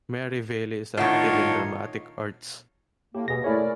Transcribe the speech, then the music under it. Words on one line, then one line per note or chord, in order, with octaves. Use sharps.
Merivale is active in dramatic arts.
A2 D#3 D4 D#4 F4 C#5 F#5
A2 A#3 G4
B2 G#4 A#6
A3 E4 G#4 A#4 C#5 D5